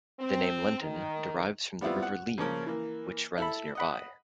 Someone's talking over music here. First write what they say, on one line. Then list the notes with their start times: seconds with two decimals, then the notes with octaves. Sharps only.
The name "Lenton" derives from the River Leen, which runs nearby.
0.20 C4
0.80 D#3
1.81 G3 B3 C4 E4 F4
2.02 F#5
2.38 C#3 F3 A#3 C#4 A#4
2.66 E3 A#3
3.38 E4 A4 B5
3.75 D#5 F#5 B5